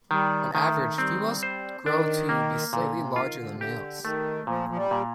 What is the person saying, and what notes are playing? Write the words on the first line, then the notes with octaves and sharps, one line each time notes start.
On average, females grow to be slightly larger than males.
D#3 G3
D#3 A3
G3 C4
C5
D#3 D4
A#3
A#2 D3
C3
D3
D#3 F4
D3
C3
D3 G4
D#3 A3
A#2 F3
F3
G3
A#2